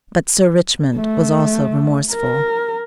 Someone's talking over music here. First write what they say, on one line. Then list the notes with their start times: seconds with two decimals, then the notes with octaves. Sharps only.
But Sir Richmond was also remorseful.
0.96 A3
2.12 A#4